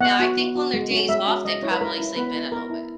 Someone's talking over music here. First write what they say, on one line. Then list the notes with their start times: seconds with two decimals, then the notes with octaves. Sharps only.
Now, I think on their days off, they probably sleep in a little bit.
0.01 B3 F#5
0.20 F#4
0.37 B3
0.55 F#4
0.74 G#3
0.90 C#4 F#4
1.09 G#3 E5
1.27 C#4 F#4
1.45 G#3 D#5
1.62 C#4 E4 C#5
1.71 B4
1.81 G#3 A#4
1.98 C#4 E4
2.16 B3 B4
2.34 E4
2.52 B3 A#4
2.70 E4